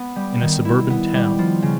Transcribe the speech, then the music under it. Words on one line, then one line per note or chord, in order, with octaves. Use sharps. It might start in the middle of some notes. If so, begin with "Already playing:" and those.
In a suburban town?
Already playing: B3
G3
D#3
E4
B3
G3
F3
C#3